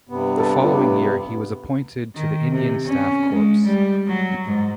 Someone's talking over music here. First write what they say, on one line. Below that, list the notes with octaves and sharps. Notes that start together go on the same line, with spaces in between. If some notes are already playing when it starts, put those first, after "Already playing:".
The following year he was appointed to the Indian Staff Corps.
G2 C3 B3
A4 A5
F4 G4 C#5
D4
D#3
C3
C#4
G#3
G3
F#3
G#2